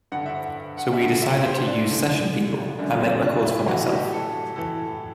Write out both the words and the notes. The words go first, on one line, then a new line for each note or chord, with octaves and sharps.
So we decided to use session people." "I make records for myself.
G2 D3 F#5
E5
F#5
F#5
E5
G2 D3 F#5
E5
C5
D4
F#2 D3
F#2 D3 D4
C4
D4
E4
A2 E3 F#4
F#4
G4
A4
A2 E3 A4